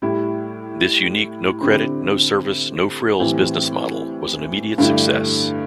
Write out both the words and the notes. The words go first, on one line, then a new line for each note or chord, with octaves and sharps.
This unique no-credit, no-service, no-frills business model was an immediate success.
A2 G3 E4
D3 C4 E4 G4
A2 E3 G3 C4
G2 D3 A3 E4 G4